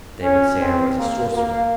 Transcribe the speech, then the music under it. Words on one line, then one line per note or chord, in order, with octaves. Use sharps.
'They would say I was a sorcerer.
C#4
C4
A#3
A#3